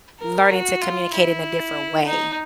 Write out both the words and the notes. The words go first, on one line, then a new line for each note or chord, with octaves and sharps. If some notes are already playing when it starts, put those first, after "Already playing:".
learning to communicate in a different way.
A#4
F#4
F4
E4
D#4